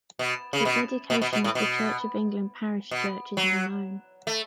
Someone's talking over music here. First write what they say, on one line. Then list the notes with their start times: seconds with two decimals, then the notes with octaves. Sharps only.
The dedication of the Church of England parish church is unknown.
0.19 B2
0.53 C#3
0.65 B2
1.10 B2
1.22 B2
1.33 B2
1.44 A2
1.55 B2
2.91 B2
3.37 F#3
4.27 A3